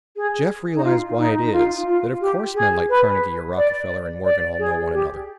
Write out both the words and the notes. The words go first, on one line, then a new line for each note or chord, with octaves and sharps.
Jeff realized why it is that of course men like Carnegie or Rockefeller and Morgan all know one another.
G#4
D#4
F4
D#4
D#4
F4
F4
G4
G#4
B4
D5
D5
G#4
G4